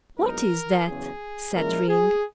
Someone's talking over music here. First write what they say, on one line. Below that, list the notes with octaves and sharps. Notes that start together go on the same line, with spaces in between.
'What is that?' said Ring.
A#1 G#2 F#3 B3 D#4 A#4
E2 C#3 F#3 G#4
A#2 G#3 C#4 E4 A#4
G#4